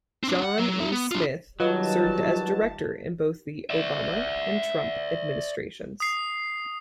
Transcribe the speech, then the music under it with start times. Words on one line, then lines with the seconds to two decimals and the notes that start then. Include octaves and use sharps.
John E. Smith served as director in both the Obama and Trump administrations.
0.23 C4 D4
0.43 F#5
0.58 F#3
0.80 D#4 E5
0.92 B3
1.12 D4 F4
1.60 D#3 F#3 G3 F4 B4 D#5 A5
3.70 D5 E5
6.00 D#6 C7